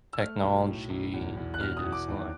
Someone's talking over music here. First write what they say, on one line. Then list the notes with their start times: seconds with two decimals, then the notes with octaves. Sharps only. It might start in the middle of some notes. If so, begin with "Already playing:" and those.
technology is, like
0.13 E6
0.19 A3 F6
0.43 B1
0.67 A2
0.90 B1
1.14 E2
1.37 E2
1.54 F#6
1.60 B2 F6
1.77 D#6
1.84 E2
1.92 D6
2.08 D#2